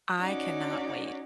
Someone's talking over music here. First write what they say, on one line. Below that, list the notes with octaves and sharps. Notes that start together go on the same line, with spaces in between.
I cannot wait.
C#4 D#4 F#4 C#5 D5